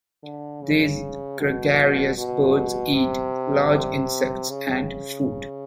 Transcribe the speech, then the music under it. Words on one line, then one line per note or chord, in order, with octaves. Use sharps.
These gregarious birds eat large insects and fruit.
D3
C#3
B2
B2
C3
C#3